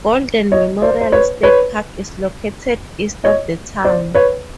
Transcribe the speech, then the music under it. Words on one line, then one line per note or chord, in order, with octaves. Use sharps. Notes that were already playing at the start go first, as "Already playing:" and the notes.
Golden Memorial State Park is located east of the town.
C#5 D#5
C5 D5
C5
B4 C#5
B4 C#5
C#5 D#5
C5 D5
B4 C#5